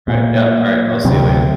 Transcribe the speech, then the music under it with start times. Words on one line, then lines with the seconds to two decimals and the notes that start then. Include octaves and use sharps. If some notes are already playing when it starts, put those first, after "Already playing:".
Alright, yeah, alright, I'll see you later.
0.08 A#2
1.04 D2 C3 F#3 C4